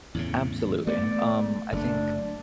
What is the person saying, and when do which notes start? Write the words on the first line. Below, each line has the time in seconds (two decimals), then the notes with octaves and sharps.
absolutely. Um, I think
0.15 E2 A2 C#3
0.87 A3 B3 D5
1.73 F#1 A3 D4